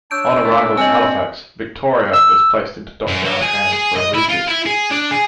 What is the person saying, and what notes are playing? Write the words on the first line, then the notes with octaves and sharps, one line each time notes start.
On arrival in Halifax, "Victoria" was placed into dockyard hands for a refit.
D4 C#5 E6 G6 D7
A3
C4 D#5 G#5
E6
F#2
F#3
G#4
G#4
D#5
E4
F4
E4
G#4
D4
G#4